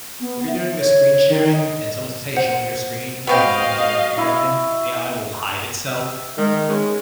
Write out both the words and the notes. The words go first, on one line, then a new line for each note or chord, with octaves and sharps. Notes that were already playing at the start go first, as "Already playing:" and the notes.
if you're doing a screen sharing and someone says, "Hey, show me your screen," and, you don't want to so you don't share anything, the AI will hide itself,
B3
E5
C#5
C#5
D#3
D#5
C5 F#5
B3 C4 F#4 G4 D#5 F5
E4
E5
D#3 G#3
G#3 C#4